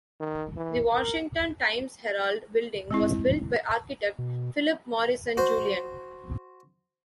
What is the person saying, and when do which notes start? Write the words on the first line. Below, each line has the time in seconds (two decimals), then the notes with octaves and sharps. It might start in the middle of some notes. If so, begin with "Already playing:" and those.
The Washington Times-Herald Building was built by architect Philip Morrisson Jullien.
0.20 D#3
0.57 E3
0.94 A#4
2.91 G#3 C4 E4
4.19 B2
5.37 F#4 C5